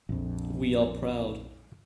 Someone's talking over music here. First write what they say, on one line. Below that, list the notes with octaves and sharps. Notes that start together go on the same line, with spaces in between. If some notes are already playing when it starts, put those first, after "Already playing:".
We are proud.
A#1 F2